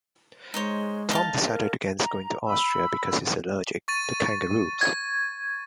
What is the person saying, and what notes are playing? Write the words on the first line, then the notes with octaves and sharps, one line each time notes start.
Tom decided against going to Austria because he's allergic to kangaroos.
G#3 D#4 C5 C#5
D#4 F5 A5
A#4
A#5
B5 E6
C#6 A6 D#7
G#6